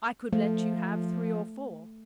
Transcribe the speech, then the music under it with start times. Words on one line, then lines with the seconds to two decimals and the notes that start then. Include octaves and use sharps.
I could let you have three or four.
0.33 F3 A3